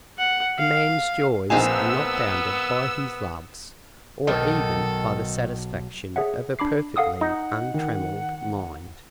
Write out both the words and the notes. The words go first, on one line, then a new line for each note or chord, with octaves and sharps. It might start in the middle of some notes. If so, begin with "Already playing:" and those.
A man's joys are not bounded by his loves or even by the satisfaction of a perfectly untrammelled mind.
F#5
F5
A#1 B3 C4 D#4 F5 G#5 A5 E6
B1 D#3 A4
G#4 C#5 E5 F#5
D4 B5 D6 C7
A4 F5 F#5 D#6 E6
D#4 F#5
D#3